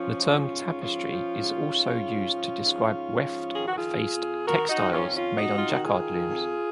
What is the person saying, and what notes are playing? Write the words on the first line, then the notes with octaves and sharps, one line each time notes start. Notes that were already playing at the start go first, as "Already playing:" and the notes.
The term tapestry is also used to describe weft-faced textiles made on Jacquard looms.
Already playing: F3 C#4 F4
G#2
G#2
F3 C#4 F4
F3
G#2
G#2
F3
F3
G#2
G#2
F3
D#3 G#4
F#4
F4 G#4
F2
F2
D#3 F#4 A#4
D#4 F#4
D#3
C#4 F4
F2
C#4 F4
F2 D#4 F#4
F4
D#3 F#4
F4 G#4
D#3
F2